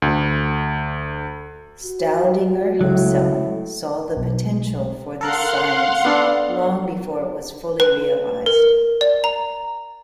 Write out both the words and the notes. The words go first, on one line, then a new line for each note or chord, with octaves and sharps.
Staudinger himself saw the potential for this science long before it was fully realized.
D2
F#4
C#2 A2 F#3
B1
A4 A#4 F5 F#5 C6 F#6
B3 D4 A4
B4
A#4
D5
A#5